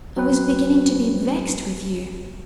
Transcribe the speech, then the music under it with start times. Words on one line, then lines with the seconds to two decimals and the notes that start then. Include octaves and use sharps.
I was beginning to be vexed with you.
0.16 F#3 C4 B4